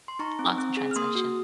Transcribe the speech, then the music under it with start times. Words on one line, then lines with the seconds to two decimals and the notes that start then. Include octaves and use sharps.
lots of translation.
0.08 C6
0.19 D#4 A#5 C#6
0.39 C4
0.58 C4
0.77 G#4
0.91 F6
0.96 A#3 C6 D#6
1.15 F#4